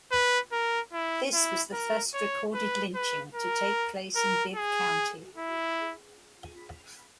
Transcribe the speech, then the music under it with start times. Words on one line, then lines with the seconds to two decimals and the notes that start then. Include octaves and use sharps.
This was the first recorded lynching to take place in Bibb County.
0.11 B4
0.52 A#4
0.92 E4
1.33 E4
1.73 A#4
2.14 C#5
2.54 B4
2.94 B4
3.35 A#4
4.16 A#4
4.56 G#4
5.37 E4